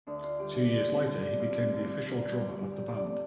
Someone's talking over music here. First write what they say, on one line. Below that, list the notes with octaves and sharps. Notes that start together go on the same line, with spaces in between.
Two years later he became the official drummer of the band.
D2 D4
F4
D3 G3 G4
D4
D2
C4
D3 G3
D4
G2 F4
D4
D3 G3 D4
F4
G2
D3 G3
F2 G4
D5
C3 A3